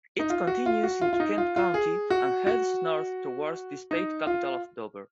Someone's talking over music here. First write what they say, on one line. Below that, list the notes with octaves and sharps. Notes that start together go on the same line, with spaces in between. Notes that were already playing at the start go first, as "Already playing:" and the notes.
It continues into Kent County and heads north towards the state capital of Dover.
D#4
F4
F#4
F4
F#4
F4
F4
D#4
F4
F4
G#4
F#4
F#4
D#4
F4